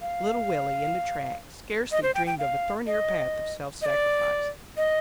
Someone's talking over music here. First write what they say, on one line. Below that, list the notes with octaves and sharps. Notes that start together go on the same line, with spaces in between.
Little Willie, in the tracts, scarcely dreamed of a thornier path of self-sacrifice.
F5
D#5
C5
G5
G5
F5
D#5
D#5
D5
D#5